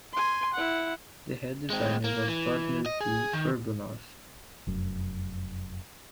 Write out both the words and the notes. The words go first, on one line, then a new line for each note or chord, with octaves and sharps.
The head designer was Vladimir P. Gorbunov.
G#5 C6
E4 F#5
G#3 C4
A#3
E3
D#5
G#4
D#3
F1 F#2